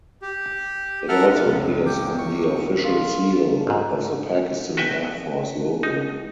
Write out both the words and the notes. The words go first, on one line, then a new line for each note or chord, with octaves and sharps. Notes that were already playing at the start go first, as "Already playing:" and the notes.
It also appears on the official seal of the Pakistan Air Force logo.
G4
A4 A#4 E5 F#5 F6
C#2 F#2
G5 D6
C#6
F4
G#1 G#2
F#4 B4 E5 G5 G#5
D#4